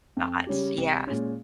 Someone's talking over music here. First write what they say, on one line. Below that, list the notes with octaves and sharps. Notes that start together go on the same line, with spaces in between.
Thoughts yeah, s
F2
C#3 G3 C#4 G4
C2
A#2 G#3 C#4